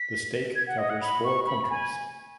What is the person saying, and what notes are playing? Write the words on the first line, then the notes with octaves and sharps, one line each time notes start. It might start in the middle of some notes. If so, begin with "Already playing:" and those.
The stake covers four countries.
Already playing: B6
G#6
F#5
D#5
F#5
B5
C#6
B5
G#5